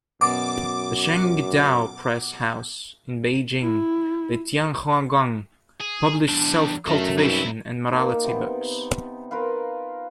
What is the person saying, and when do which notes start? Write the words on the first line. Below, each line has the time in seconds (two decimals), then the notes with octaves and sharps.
The Shengdao press house in Beijing, the "Tianhuaguan", published self-cultivation and morality books.
0.21 F#2 B2 D5 D6
3.63 E4
5.81 G#4
6.29 E2 G3 D4
6.87 F#2 D#3 A4 E5
7.19 C2 D#4 E4 B4
7.88 A#3 D#4
8.24 C3 B3
9.31 F4 A#4 B4 F5